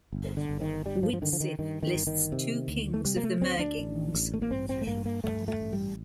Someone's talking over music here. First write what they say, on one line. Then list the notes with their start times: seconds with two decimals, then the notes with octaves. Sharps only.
Widsith lists two kings of the Myrgings.
0.13 G1
0.37 D3
0.49 G1
0.61 D#3
0.85 G2 G3
1.03 F3
1.13 F3
1.22 D3 D#3
1.33 F3
1.40 D#3
1.59 G2 D#3
1.83 D#3
1.95 G1
2.07 D#3
2.32 C3
2.68 D2
2.94 A3
3.05 C3 G3
3.16 A#3
3.23 A3
3.41 D2 C4
3.59 D4
3.78 A1
4.14 A1
4.34 A3
4.42 A#3
4.51 G2 C4
4.69 C4
4.82 A3
4.87 G2 A#3
5.06 A#3
5.24 G2 A3
5.48 A3
5.61 A1
5.73 G3